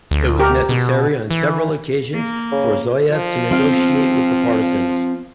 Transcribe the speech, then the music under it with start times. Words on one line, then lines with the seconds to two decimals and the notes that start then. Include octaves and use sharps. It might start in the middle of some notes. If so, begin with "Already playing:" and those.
It was necessary on several occasions for Zuyev to negotiate with the partisans.
0.11 D2
0.40 G4 A#4
0.69 B2
1.31 E3
2.15 A#3
2.52 C#3
3.11 F3
3.51 C4 F5